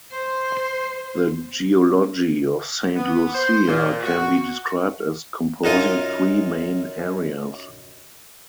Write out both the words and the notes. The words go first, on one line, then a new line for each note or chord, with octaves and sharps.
The geology of Saint Lucia can be described as composing three main areas.
C5
B3
C5
A#2
F#4
F#2 D#4 F4 D#6